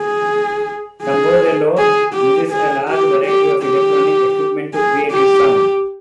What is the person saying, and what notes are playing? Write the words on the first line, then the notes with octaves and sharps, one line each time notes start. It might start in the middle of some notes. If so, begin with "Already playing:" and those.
Tamborello uses a large variety of electronic equipment to create his sound.
Already playing: G#4
G#4
G#4
G4
G#4
G4
G4
G4
G#4
G4